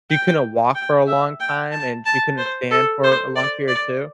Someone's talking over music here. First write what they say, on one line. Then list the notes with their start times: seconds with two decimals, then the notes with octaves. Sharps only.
she couldn't walk for a long time, and she couldn't stand for a long period too,
0.10 G5
0.75 G5
1.07 E5
1.40 G5
1.72 A5
2.06 A5
2.38 C5
2.70 A4
3.04 C5
3.36 D5
3.68 D5